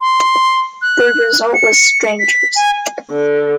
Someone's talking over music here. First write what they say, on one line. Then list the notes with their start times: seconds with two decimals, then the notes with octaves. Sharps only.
The result was "Strangers".
0.01 C6
0.82 F#6
1.54 C#7
2.19 B6
2.56 G#5
3.11 D3